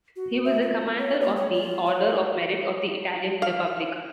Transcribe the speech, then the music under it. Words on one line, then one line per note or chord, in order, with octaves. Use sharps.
He was a Commander of the Order of Merit of the Italian Republic.
F#4
E5
F4
C#5
A#3
C#5
F4
C#5
F5